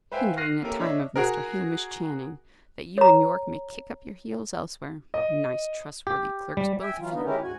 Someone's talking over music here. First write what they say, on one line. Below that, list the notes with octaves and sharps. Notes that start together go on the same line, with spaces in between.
"Hindering the time of Mr. Hamish Channing, that you and Yorke may kick up your heels elsewhere! Nice trustworthy clerks, both of you!"
B4 C5 E5 F5 G5 G#5
F6 F#6 A#6 C7 D#7
A#3 C#4 E4 G4 A4 A#4
D4 C#5 D#5 E5
F#4 G#4 A#4
C#5 A#5
D#5
G4
G3
E5 G5 G#5
E3 F#3 F4
D3 B3 D#4
D#3 G#3 C#4 E4 G4 A#4
D2 G#2 F#4 G#5